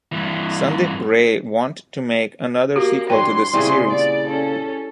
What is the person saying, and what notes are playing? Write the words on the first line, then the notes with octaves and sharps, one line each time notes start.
Sandip Ray want to make another sequel to this series.
G2 E3
A#3 F#4 G4
G2 E3 F#3 G5 C6
A#2 C#3 G3 C4 E4 G#4
D5
C#4 A4